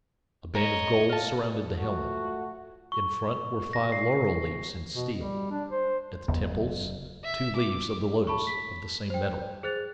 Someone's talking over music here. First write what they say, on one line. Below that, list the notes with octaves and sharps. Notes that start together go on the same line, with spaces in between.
A band of gold surrounded the helmet; in front were five laurel leaves in steel; at the temples two leaves of the lotus of the same metal.
A#4 C#5 D#5 A#5
F5 A5
A3 F4 F#4
C#6
A#6
C7
B2
G3
D4
C5
F#1 E2
E5
D6
A5 B5 C#6
B6
C5 G5
G#4 C5 F#6 A6 F7